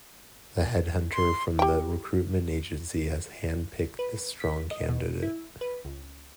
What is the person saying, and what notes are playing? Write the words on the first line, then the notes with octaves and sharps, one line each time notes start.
The head hunter from the recruitment agency has hand-picked this strong candidate.
C6
G4 G5
B4
B6
D#5
B2
E4
B4
C#2